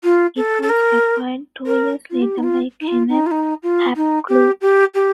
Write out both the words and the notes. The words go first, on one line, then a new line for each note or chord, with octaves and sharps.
It was acquired two years later by Kenneth "Hap" Klopp.
F4
A4
A4
A#4
A#4
F4
G4
D#4
F4
D#4
F4
D#4
F4
D#4
F4
D#4
G4
G4
G4